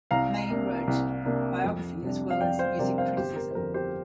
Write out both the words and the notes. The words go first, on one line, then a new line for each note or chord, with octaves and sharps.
Maine wrote biography as well as music criticism.
C2 F5 A#5
C3 A#3 D4
C2
C3 A#3 D4
F2
C3 G3 D4
F5
F2 D5 G5
C5 F5
C3 G3 D4 A#4 D5
C5 F5
G1 G4 C5
A#4
C5
F2 D3 A#4
G4 C5